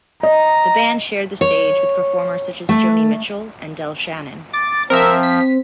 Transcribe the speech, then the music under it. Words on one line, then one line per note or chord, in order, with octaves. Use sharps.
The band shared the stage with performers such as Joni Mitchell and Del Shannon.
D#5 A#5
C#5
A3
D6 A6
F3 C4 A#4 E5
B6